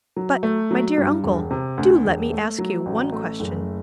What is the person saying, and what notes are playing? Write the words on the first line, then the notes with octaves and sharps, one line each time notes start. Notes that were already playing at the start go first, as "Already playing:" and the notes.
"But, my dear uncle, do let me ask you one question."
F#3
A3
F#3
G2
E1
C3
D2
E1
A3
F#3
A1
A3
F#1